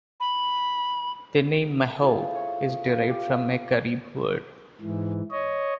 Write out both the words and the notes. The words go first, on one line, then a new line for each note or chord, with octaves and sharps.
The name mahoe is derived from a Carib word.
B5
E4 F4 G#4 A4
C5 C#5
B3 F4 F5
G4
G#2 E3
C#5 D#5